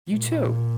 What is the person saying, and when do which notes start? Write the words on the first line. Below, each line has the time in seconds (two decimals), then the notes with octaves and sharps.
You too.
0.11 A#2